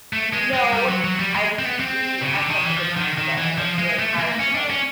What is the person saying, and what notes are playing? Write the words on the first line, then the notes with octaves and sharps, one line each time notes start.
Eh, no, I just we have such a good time together, it's really hard to, like,
A3
G#3
G#3
G3
F#3
F#3
G3
G#3
C4
B3
C4
C#3
D3
D#3
E3
F3
D#3
D#3
E3
F3
G#3
A3
A#3
C#4
D4
C#4